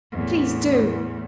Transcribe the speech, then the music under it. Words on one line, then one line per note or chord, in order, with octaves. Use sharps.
Please do.
E2 A2